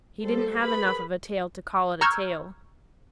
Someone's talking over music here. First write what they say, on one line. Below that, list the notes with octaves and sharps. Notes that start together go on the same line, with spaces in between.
He didn't have enough of a tail to call it a tail.
G3 A4 C5
G#4 A#4 B4 B5
A#5 C#6 E6 F6 G6 G#6